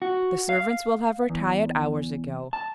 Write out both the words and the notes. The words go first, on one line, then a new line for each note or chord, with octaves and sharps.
The servants will have retired hours ago.
F#4
F5
E2
A5